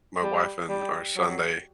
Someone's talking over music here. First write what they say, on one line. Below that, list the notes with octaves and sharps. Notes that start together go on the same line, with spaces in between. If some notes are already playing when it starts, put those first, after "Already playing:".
my wife and our son, they
G3
G3
F#3